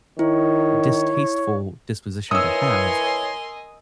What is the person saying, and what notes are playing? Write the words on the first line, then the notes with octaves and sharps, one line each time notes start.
distasteful disposition to have.
D#3 E4 C#5
E3 A#4 C#5 D#5 G#5 C6 D#6 E6